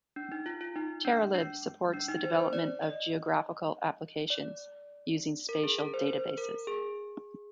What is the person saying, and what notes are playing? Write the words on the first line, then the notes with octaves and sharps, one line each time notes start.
TerraLib supports the development of geographical applications using spatial databases.
D4
D#4
F4
F4
D#4
D4
D4
D4
D#4
C5
C5
D5
D#5
D5
A#4
G#4
A#4
C5
C5
A#4
G#4